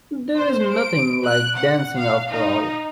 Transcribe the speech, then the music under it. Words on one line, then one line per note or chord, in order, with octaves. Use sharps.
There is nothing like dancing after all.
C5
D7
F#6
F#5
F5
D#4